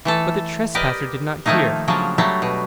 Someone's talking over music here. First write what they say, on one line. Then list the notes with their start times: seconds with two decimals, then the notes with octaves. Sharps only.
But the trespasser did not hear.
0.05 E3 A3 A4
0.75 G4 A#4 B4 D5 D#5
1.46 D#3 F3 A3 A#3 D#4
1.88 C#3 F3 F#3 D4
2.18 F#3 G3 A3
2.42 B2